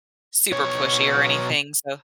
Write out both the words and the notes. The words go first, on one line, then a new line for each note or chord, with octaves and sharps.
super pushy or anything, so
B2 C#5